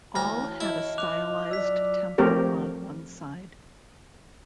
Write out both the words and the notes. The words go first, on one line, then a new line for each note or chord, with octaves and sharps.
All had a stylised temple on one side.
D2 E3 F#4 C#5 A5 A#5 F6
E4 D#5
D6 F#6 F7
F#3 F4 D5 E6 B6
F3 A3 C4 G4 A#4 C#5